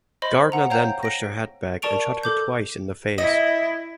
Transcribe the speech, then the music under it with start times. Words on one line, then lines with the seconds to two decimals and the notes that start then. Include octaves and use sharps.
Gardner then pushed her head back and shot her twice in the face.
0.22 C5 D#5 B5 C6
0.52 F#5 A#5
0.70 C#5 F5 G5 A#5 G6
1.03 A#6 D7
1.82 A#4 D5 A5 C#6 D7 F7
2.23 A4 D6 G6
3.18 E4 D#5